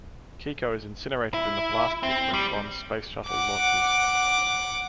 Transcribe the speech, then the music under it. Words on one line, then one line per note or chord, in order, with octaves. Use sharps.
Kiko is incinerated in the blast pit when Bond's space shuttle launches.
E4
C4
G3
F#5 D6